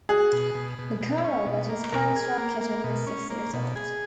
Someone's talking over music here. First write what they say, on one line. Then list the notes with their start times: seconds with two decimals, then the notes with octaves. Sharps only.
McCarroll got his first drum kit when he was six years old.
0.09 F#4 G#4
0.33 B2
0.55 B2
0.79 B2
1.01 B2
1.24 C#4
1.46 B2
1.69 A#3
1.92 B2 A#4
2.16 G#4
2.38 A#3
2.61 A#3
2.84 B2
3.07 C#4
3.30 A#3
3.53 B2
3.76 G#4